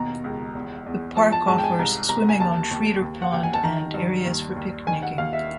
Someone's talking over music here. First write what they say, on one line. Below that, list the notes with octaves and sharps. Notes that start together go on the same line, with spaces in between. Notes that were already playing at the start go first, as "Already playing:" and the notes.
The park offers swimming on Schreeder Pond and areas for picnicking.
Already playing: D#2 B2 D#3 A#5
C#2
E2
E2
F3 A5
A5
G#2 A5
G5
G#5
C2 A#5
C2 A#5
G#5
D#2 A5
D#2
D#2
F#5
D#2 G5
G#5
A5
D#3 A#5
G2
D#2
D#2
D#3 G#5
F#5
D#2 F5
E5